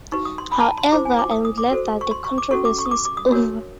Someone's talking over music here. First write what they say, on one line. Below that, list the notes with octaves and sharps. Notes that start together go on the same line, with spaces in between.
However, I am glad that the controversy is over.
D#4 F#4 B4 C#6
D#6
C6
B5
A5
A#5
C6
E4 G#4 C5 D6
G#5
D6
D#6
D#6
D6
F#4 A4 C5
C#6
C6
C#6
D6
C#4 F#4 A4 C#6
D6
C#6
D#6
D6
D6
D#6
D4 F#4 A#4 C#5